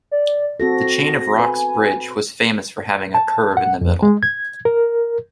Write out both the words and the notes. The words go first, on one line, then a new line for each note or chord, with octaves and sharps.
The Chain of Rocks Bridge was famous for having a curve in the middle.
D5
C4 F#4 A4 A#6
B4 G#5
A5
F#5
F2
G#3
G#6
A#4